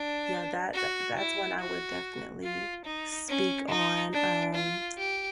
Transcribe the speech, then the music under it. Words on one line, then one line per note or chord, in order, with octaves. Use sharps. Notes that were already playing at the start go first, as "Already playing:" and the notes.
yeah, that th that's one I would definitely speak on, um,
Already playing: D4
F#4
E4
F#4
F4
D#4
C#4
D#4
D4
F4
G4